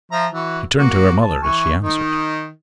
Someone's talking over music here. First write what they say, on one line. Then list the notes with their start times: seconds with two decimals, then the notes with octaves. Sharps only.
She turned to her mother as she answered.
0.12 F3 E5 A#5
0.33 E3 F#4
0.78 A#3 F#4
1.21 A5
1.43 E3 G#5 C#6
1.80 D#3 D#4